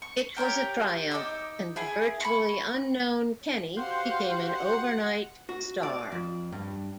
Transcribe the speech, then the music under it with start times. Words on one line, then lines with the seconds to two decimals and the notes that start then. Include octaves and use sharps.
It was a triumph and the virtually unknown Kenny became an overnight star.
0.02 C#6
0.36 G4 A#4 C#5 G5
1.11 D#4 D6 E6
1.76 E4 G#4 G#5
2.21 B5 C#6
3.77 F#4 G4 C5 F5 F#5
4.53 F#5
5.49 F#4
5.83 D5
6.12 F2
6.52 G2